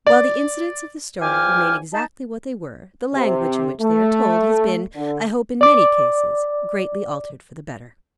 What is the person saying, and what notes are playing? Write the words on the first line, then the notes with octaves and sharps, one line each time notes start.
While the incidents of the story remain exactly what they were, the language in which they are told has been, I hope, in many cases greatly altered for the better.
D5
E2 F3 G5 G#5 D6 F6
D#4 A5
C3
A3
D3
D5 D6